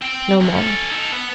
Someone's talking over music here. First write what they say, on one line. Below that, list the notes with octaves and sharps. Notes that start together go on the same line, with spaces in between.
"No more."
C4 G5
F#2 D3
C#4 A4
D#4 A4
B3